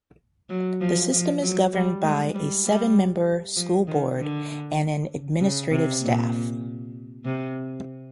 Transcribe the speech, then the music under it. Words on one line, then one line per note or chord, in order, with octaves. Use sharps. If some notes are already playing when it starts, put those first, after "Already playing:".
The system is governed by a seven-member school board and an administrative staff.
F#3
F3
F3
F#3
G3
G#3
G3
G3
F3
D#3
D3
C#3
C3
A#2
C3